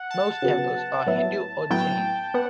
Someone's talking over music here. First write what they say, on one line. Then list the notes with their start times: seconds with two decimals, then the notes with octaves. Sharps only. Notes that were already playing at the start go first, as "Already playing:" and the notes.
Most temples are Hindu or Jain.
Already playing: F#5
0.10 A5
0.42 C#3 F#3 B3
1.06 A2 F#3 B3 E4
1.70 A2 F#3 B3 E4 G5
2.34 B3 F#5